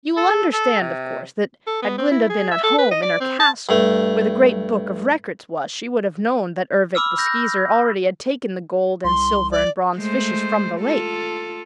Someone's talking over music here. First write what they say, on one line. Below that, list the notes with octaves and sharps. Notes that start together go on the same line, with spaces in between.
You will understand, of course, that had Glinda been at home in her castle, where the Great Book of Records was, she would have known that Ervic the Skeezer already had taken the gold and silver and bronze fishes from the lake.
A4
A4
C3
A4
B3
C4
E4
G#4
E5
A4
B4
D#5
D5
C4
A5
G2 A3
B5 D6 E6 F6
B5 G6 A#6
C2 C6
D5
G#3 A3 C5
F4 A4